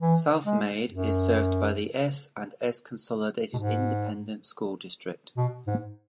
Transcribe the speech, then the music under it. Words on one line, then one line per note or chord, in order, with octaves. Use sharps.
Southmayd is served by the S and S Consolidated Independent School District.
E3
G#3
F#2
B2
G#2
B2
G#2